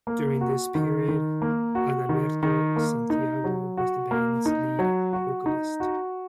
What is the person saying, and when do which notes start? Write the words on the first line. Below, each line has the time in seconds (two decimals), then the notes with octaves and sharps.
During this period, Adalberto Santiago was the band's lead vocalist.
0.07 A#3
0.41 F#4
0.75 D#3
1.08 D#3
1.42 A#3
1.75 F#4
2.09 D#3
2.43 D#3
2.76 A#3
3.10 D#4
3.44 F#3
3.77 F#4
4.11 A#3
4.46 D#4
4.79 F#3
5.13 F#4
5.46 D#4
5.80 F#4